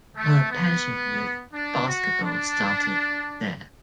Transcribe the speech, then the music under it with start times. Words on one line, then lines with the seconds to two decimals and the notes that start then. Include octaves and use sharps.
Her passion with basketball started there.
0.16 A3
0.51 B3
1.54 D4
1.88 F#4
2.22 D4